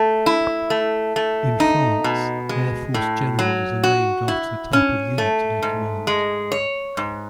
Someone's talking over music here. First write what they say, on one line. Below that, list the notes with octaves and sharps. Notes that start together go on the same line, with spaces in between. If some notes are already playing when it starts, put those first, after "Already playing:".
In France, Air Force generals are named after the type of unit they command.
Already playing: A3
E4
A3
A3
D#4
B2
G#3
A2
F#3
F#4
E4
C#4
A3
G#2
G#3
C#5
G#2